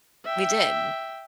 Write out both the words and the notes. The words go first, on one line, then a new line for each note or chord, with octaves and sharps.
We did.
E5 G5